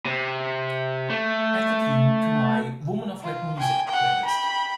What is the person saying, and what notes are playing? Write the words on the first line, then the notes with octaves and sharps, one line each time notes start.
Add the tune to my Women of Latin Music playlist.
C3
A3
F4
G5 G#5
F#5 G5
G5 B5